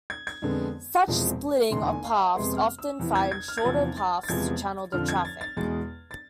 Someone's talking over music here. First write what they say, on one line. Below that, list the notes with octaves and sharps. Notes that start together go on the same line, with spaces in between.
Such splitting of paths often finds shorter paths to channel the traffic.
G#6
G#6
F2 D3 G#3 B3
E1 E2 C3 F3 G#3
F1 E2 D3 A3 C6
G#5
F5
E5
F2 C3 G#3 B3 C6
F6
E6
E2 C3 E3
G#6
G#6
F6
G#6
F1 E2 C3 F3 A6
A6
A6
E2 C3 F3 G#3 B3 G#6
F2 D3 F3 F6
G#6
A6
A6
E2 B2 G#3 A6
A6